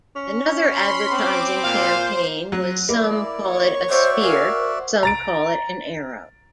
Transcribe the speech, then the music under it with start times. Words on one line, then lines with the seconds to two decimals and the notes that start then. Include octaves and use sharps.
Another advertising campaign was some call it a spear, some call it an arrow.
0.16 C#4
0.65 B5 C6
1.11 C4 D6
1.63 A#2 C5 F5
2.52 F#3 F#6
2.89 A#3 E4 D5
3.46 C#5 C#6
3.90 F#4 C5 D5 E5
4.21 A#4 F5 G#5
4.56 C5
5.03 A#5 A6 D7